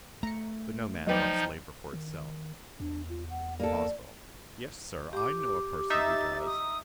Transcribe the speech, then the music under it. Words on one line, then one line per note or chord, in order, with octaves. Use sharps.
But no man loves labour for itself.' BOSWELL. 'Yes, Sir, I know a person who does.
A3 A#5 C#7
F3 F#3 D#4 B4 D5 D#5 G5
D#3
E2 D4
F4
F#5
A#3 A4 D5
G4 D6
D#4 E5 A6
D#6